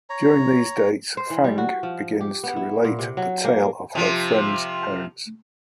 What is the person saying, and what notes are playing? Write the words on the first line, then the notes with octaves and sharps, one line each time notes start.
During these dates, Fang begins to relate the tale of her friend's parents.
C#5 A#5
C5
E3
G3
F#4
F3
G4
B3
E4
A#2
C3
F#3
A#3
C3 F3